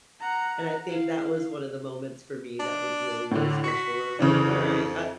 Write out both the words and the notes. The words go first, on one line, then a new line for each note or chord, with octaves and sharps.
and I think that was one of the moments for me that was really, really special, and I was like, "Alright, I
F#5 A#5
E4 F5
D4
A2 D3
F#4 B6 C#7
F2 C#3 E3 D4